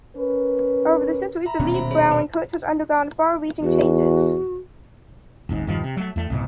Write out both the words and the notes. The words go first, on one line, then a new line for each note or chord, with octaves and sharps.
Over the centuries, the Liebfrauenkirche has undergone far-reaching changes.
C#4 A#4 B4
E5 A#5 B5
D#1 B2 C#4
C5 E5 B5
G#4 C#5 B5
B4
E2 F#4
D#1 G#1 G#2
E1 G2 D#3 F3
C3
F#3 A3
E2 A3
C2 G#2 B2